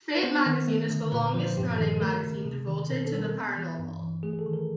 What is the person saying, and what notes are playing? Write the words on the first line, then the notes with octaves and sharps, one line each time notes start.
"Fate" magazine is the longest-running magazine devoted to the paranormal.
B4
B3 C5
D#3
A3
D3
A#2 B4
B4
F3 C5
C5
G2 G4
D#3 A4
A3 A#4
C#3
C3
D#3
B2 A#4
A4
G3
A#4
B3
E3
G2
E3
A3 G#4
G#4
A4
D#3
A#4